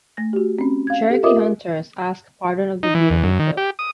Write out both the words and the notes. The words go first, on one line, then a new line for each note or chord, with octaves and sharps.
Cherokee hunters ask pardon of the deer they kill.
A3 A#6
F#4 G4
C4 C#4
F5 G#6
G4 A4
F4 A#4 D#5 E5 D6 D#6
D#4
E3
E2
F#2
D#3
G4
D#6